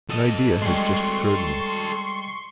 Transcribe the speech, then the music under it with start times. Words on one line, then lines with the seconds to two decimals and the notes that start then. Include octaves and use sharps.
"An idea has just occurred to me."
0.10 A4 D#5
0.62 G3 G#3 C6 C#6